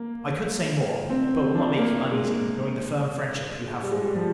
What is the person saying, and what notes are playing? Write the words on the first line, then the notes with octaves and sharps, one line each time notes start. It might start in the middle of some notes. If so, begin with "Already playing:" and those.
I could say more; but will not make you uneasy, knowing the firm friendship you have for me.
Already playing: A#3
C4
D4
A#3
G#3
G3
G#3
G3
F3